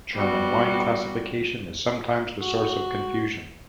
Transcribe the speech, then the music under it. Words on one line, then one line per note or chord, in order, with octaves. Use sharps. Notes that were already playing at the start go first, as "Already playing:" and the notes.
German wine classification is sometimes the source of confusion.
G3 B3 F#4
F#4